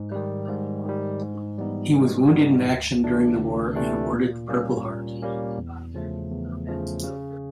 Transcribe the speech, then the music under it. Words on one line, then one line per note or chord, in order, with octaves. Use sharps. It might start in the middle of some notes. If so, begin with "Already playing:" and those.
He was wounded in action during the war and awarded the Purple Heart.
Already playing: G#2
D#3 G3
G#2
D#3 G3
G#2
E3 G3 B3 D#4
G#2
E3 G3 B3 D#4
D2
C3 E3 A3 D4
D2
C3 E3 A3 D4
A#2
G3 A#3 C#4
A#2
G3 A#3 C#4
E2
C#3 F3 A3
E2
C#3 F3 A3
C#3